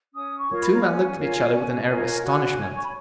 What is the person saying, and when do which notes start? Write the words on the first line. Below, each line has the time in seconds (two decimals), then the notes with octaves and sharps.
The two men looked at each other with an air of astonishment.
0.14 C#4 D#6
0.37 C#6
0.49 F4 A#4 C#5
0.61 B5
0.74 A#5
0.83 C#4 G#5
1.19 F4 A#4 C#5
1.53 C#4
1.87 F4 A#4 C#5
2.22 F#4 G#5
2.56 C#5
2.75 C#6
2.83 B5